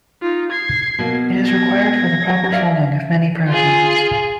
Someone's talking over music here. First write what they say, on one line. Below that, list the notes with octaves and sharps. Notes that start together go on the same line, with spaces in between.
It is required for the proper folding of many proteins.
D#4 F4
G#6 C7
B2 A#3
G#6 A#6
D5 E5 F5
F4 G#4